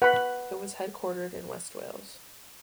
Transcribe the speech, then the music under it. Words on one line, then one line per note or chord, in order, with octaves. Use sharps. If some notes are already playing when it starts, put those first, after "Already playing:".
It is headquartered in west Wales.
B4 F#5 B5